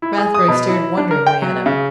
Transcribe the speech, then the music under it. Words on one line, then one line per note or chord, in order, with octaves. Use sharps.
Rathbury stared wonderingly at him.
E4
G#4
D#6
B2
E4
D4
A#4
G5
F#3
C#3